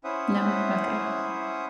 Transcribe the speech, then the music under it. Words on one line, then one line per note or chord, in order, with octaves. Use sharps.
No? Okay.
C#4 E4 C5 E5 F#5 D#6